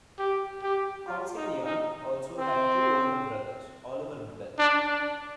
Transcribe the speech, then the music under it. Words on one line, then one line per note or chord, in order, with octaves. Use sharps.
Cal Senior also had two older brothers, Oliver and Bill.
G4
G4
F4
D#4
D#4
C4
D4
D4